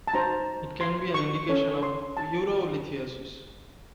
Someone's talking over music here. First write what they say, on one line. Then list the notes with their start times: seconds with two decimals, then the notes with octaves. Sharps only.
It can be an indication of urolithiasis.
0.07 A5
0.13 D#4 F#4 C5 A#5
0.81 C6
1.14 C#6
1.49 C#4 A4 C#5
1.83 C6
2.17 A5